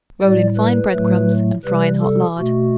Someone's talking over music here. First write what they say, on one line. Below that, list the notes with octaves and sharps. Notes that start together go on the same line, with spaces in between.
Roll in fine bread-crumbs and fry in hot lard.
A2 G3 D5
B4
A2 F#3 A3
C3 G3 B4
A4
B2 A3 F#4